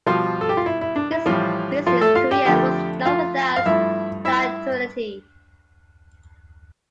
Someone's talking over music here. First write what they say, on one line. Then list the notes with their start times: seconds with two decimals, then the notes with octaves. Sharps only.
His business career was not without notoriety.
0.06 B2 F3 G3 F4
0.41 A4
0.49 G4
0.57 F4
0.66 E4
0.81 E4
0.96 D4
1.12 E4
1.26 A2 E3 F3 G3 F4
1.86 F3 F4
2.01 A3 A4
2.15 F4 F5
2.31 G4 G5
2.45 F2 D3 F3 A3 G4 G5
3.05 F4 F5
3.56 F5
3.66 G2 F3 A3 E4 E5
4.25 E4 E5